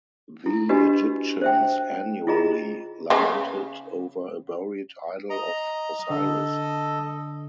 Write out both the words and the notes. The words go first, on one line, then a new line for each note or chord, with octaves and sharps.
The Egyptians annually lamented over a buried idol of Osiris.
E4
D4 F#4 G4 B4 D#5
C5 E5 G5
E4 F4 G#4 D#5 A#5
C#3 B4
D#5 A#5
D3 A4 D#5